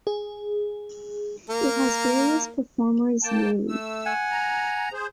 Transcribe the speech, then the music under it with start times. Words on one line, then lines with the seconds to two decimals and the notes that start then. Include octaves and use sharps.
It has various performers yearly.
0.07 G#4
1.50 A#3 A#4
3.22 A#3 G5 A5
3.68 A3 E6
4.06 F#5 G#5
4.30 A#5
4.93 G#4 C5